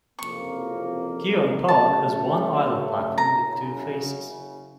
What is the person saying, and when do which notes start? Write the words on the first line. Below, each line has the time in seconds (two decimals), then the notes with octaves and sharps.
Keon Park has one island platform with two faces.
0.18 F#1 F2 C3 F3 A#3 C#6
1.67 F#2 C#3 F#3 A3 A5
3.17 F#1 F#2 C#3 A#5